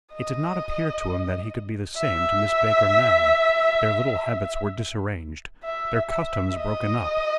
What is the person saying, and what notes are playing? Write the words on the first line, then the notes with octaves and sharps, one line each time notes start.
It did not appear to him that he could be the same to Miss Baker now; their little habits were disarranged, their customs broken up.
D#5
E5
E5
E5
D#5